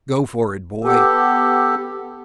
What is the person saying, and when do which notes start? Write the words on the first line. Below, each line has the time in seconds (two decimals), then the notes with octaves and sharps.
Go for it, boy.
0.84 B3 G4 A4